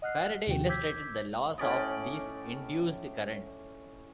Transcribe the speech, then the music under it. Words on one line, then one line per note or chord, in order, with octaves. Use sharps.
Faraday illustrated the laws of these induced currents.
D#5 F#5 F6 F#6 C7
D#2 C3 D#3 F3 F#4 G5
D6 E6 G6 G#6 B6
A2 C#4 D5 D#5